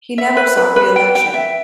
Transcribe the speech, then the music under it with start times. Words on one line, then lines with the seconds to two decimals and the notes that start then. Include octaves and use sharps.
He never sought re-election.
0.18 E5
0.37 B4
0.57 B4
0.76 B4
0.96 G5
1.15 G5
1.34 E5